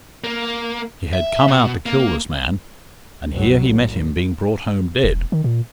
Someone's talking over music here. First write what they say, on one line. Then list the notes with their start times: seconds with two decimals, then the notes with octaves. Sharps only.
He had come out to kill this man, and here he met him being brought home dead.
0.24 A#3
1.13 E5
1.48 B2
1.86 A#3
3.33 F#1 C2 F#3
3.62 A1
5.04 E1
5.32 D#3
5.44 A#2